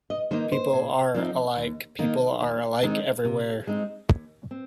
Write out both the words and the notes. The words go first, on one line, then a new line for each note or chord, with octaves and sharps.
People "are" alike... people are alike everywhere!
D#5
D#3 A#3 D#4 C5
C5
A#2
F3 C4 D#4
D#2
D#3 A#3 D#4
D#2
D#3 G#3 C4 D#4
C3
G#3 C4 D#4
D#2
C4